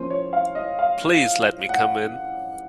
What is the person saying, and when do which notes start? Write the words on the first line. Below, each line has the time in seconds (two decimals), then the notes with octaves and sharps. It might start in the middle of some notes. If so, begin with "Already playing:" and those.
Please let me come in.
Already playing: F3 A#3 C#4 C5
0.10 C#5
0.33 F5
0.55 D#5
0.79 F5
1.69 F#5